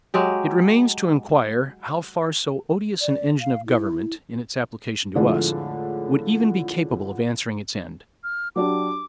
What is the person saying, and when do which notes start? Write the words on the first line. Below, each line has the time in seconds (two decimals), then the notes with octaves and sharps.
It remains to inquire how far so odious an engine of government, in its application to us, would even be capable of answering its end.
0.14 F#3 G#3 G4
3.01 D5
3.41 F5
3.66 E4
5.15 F2 A2 D3 F3 G#3 A3
8.24 F6
8.56 F#3 D4 G4 D6